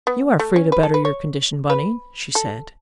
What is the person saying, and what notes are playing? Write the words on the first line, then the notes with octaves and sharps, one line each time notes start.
"You are free to better your condition, Bunny," she said.
B3
A3
C#4
B4
A4
B4
C#5
B4
A4